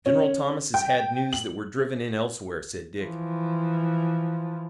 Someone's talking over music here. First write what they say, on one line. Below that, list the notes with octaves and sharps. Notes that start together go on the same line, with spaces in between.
"General Thomas has had news that we're driven in elsewhere," said Dick.
C#4
G5
F#7
E3 F3